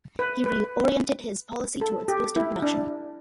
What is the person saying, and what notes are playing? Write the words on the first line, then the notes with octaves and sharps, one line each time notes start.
He reoriented his policy towards boosting production.
B4
B4
A4
G4
E4
D4